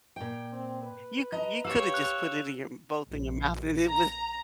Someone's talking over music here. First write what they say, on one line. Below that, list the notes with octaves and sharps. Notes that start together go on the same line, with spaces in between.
you c you coulda just put it in your both in your mouth and it was
A#2 G5
C4
B4
D#5 A#5
G4 C#5 F5 E6 E7
F#6 F7
A#1
A#5